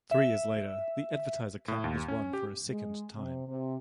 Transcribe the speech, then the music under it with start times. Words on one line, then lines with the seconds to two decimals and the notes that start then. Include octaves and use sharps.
Three years later the Advertiser Cup was won for a second time.
0.11 E5
1.68 A2
1.84 D#2
2.08 C#4
2.33 G4
2.70 G#3
3.16 C3
3.47 C3